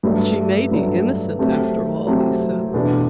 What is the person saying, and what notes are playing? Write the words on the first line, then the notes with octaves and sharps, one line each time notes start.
"She may be innocent, after all," he said.
G2 F#3 A3
G2 F#3 A3
F#3 A3 C4 G4
F#3 A3 C4 G4
E2 B2 A3 D4